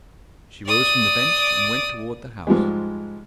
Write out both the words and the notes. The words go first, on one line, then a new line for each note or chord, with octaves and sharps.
She rose from the bench and went toward the house.
D5 D#6
G#2 F3 G3 G#3